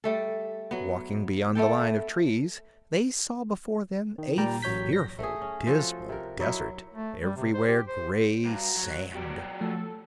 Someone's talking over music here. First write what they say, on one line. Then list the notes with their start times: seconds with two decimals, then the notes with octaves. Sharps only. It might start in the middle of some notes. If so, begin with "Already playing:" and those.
Walking beyond the line of trees they saw before them a fearful, dismal desert, everywhere gray sand.
0.04 G3 A3 A4
0.71 F#3 B3
1.55 A3 B3 A4 G5
4.18 D#3
4.37 A#2 G3 D5 G5 A#5
4.62 A1 F#3 C#5 G6 B6
4.93 A#6
5.19 A3 G#4
5.41 C#4
5.67 F3 F#4 A4
6.09 C3 A#4
6.40 F#3 D#4 E4
6.94 A3
7.22 G3
7.37 C3
7.54 C5
7.68 G4
7.88 C5
8.45 G2 F#4 A#5
8.77 F#3
9.13 B2 F#3 G3 G4
9.61 F3 A3 A4